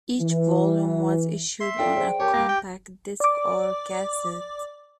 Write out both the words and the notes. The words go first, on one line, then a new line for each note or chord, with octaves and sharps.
Each volume was issued on a compact disc or cassette.
E3
E5 C6
F4 A4 D5 G5
G#4 C5 D5
G4 A#4 C#5 A5
A#3 A#6 D7
G5
D5 D6